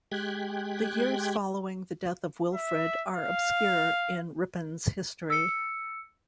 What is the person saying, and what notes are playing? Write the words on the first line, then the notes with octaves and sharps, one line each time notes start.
The years following the death of Wilfrid are obscure in Ripon's history.
G#3 G4 G5 F#6 G#6
E5
F5
E6 C#7